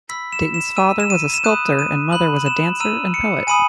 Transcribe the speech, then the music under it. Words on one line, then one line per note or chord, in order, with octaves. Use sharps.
Dayton's father was a sculptor and mother was a dancer and poet.
B5 E6 B6
E7
E7
A#5 E6 D#7
E7
D#7
E7
B5 D#6 F#6 D#7
D#7
B5 F#6 F#7
E7
A#5 E6 D#7
C#7
G#5 B5 D#6 D#7